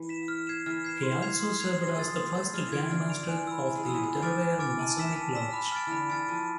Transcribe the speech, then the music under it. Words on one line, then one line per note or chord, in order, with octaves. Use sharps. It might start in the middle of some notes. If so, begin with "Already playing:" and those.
He also served as the first Grand Master of the Delaware Masonic Lodge.
Already playing: E3
B6 E7
F6
G#6 C7 E7
E3 F6
G#6 C7 E7
C6
G#6 C7 F7
C6
G#6 C7 F7
G#3 C6
F3
G#3 E6 A6
B3 C6
A3 E6 A6
G#3 F6
E3
F3 G#6 D7 F7
D3 F6
G#6 D7 F7
F3
E3 G#5
B5 E6
G#5
G#3
F3 B5 E6
E3
G#3 G#5
F3
E3 D6 F6 A6 D7
E3 G#5
D6 F6 A6 D7
A5
E6 B6 E7
A5
E6 B6 E7
B5
F6 A6 D7
D3 E3 B5
E3 F6 A6 D7
F3 A5